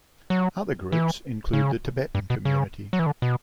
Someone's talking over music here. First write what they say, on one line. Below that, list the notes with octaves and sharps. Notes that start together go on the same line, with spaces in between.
Other groups include the Tibetan community.
F#3
E3
C#3
G2
B2
C#3
F#3
E3
D3
B2